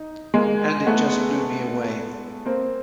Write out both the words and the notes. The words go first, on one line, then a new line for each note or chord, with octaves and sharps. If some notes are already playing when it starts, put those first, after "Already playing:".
And it just blew me away.
Already playing: D#4
G#3 A#3
A3 B3
A#3 C4